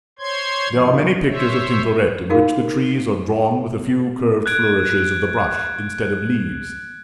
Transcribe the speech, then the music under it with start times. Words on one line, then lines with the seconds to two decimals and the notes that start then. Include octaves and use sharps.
There are many pictures of Tintoret in which the trees are drawn with a few curved flourishes of the brush instead of leaves.
0.19 C5 C#5 C6 G#6
0.69 G2 C3 D#3 F3
1.25 C5 C#5 E5
2.30 D#4 F4 F#4 G#4 A#4 F5
4.46 F#6 G#6 D7